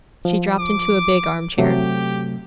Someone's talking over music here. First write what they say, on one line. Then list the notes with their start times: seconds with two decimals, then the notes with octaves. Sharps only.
She dropped into a big arm-chair.
0.25 F3
0.59 D6
1.59 C3 F#3 A3 G4